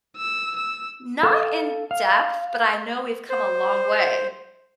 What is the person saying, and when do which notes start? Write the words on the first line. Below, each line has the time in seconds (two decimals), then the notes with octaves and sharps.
Not in-depth, but I know we've come a long way.
0.17 E6
0.56 E6
1.23 A4 F5
1.91 F5
3.30 C5